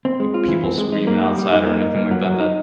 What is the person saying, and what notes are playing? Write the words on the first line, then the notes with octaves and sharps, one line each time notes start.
like, people screaming outside or anything like that that
C4
G#3
F4
E3
C4
G#3
D#4
A#3
G3
G3
D#4
A#3
D#4
A#3
F#3
F#3
D#4